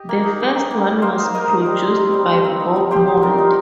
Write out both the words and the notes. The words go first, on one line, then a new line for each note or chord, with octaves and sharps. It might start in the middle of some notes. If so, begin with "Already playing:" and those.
The first one was produced by Bob Mould.
Already playing: G4 D#5
A#3
D#4
A#3
D#4
A#3
D#4
A#3 C5 F5
D#4
A#3 A#4 D#5
D#4
G3
C4
D#4
G3
G3
C4
D#4
G3
G3 G4 C5
D#4
G3 F4 A#4
D#4